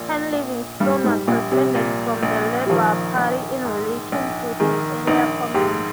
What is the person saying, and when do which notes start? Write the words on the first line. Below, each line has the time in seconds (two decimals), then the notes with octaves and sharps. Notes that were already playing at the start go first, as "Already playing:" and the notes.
Ken Livingstone was suspended from the Labour party in relation to his earlier comments.
Already playing: A#1 A#2
0.33 A#1
0.80 G2 G3
1.04 G#2
1.27 A#1 A#2
1.52 C3
1.75 A#2
2.23 A#1
2.66 G3
2.70 D#3 F3
3.18 A#1
3.65 G#2
4.12 A#1
4.60 D#3 G#3
5.07 A#1 D#4
5.54 G#2 G4